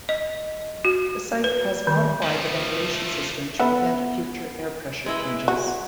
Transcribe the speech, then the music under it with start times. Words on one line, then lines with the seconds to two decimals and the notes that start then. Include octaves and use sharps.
The site has modified the ventilation system to prevent future air pressure changes.
0.09 D#5
0.85 F#4
1.44 B4
1.87 D#3
2.22 F3 A3
3.60 B3 A4 B4 E5 F#5
5.06 G#3 E4 B4
5.48 F#4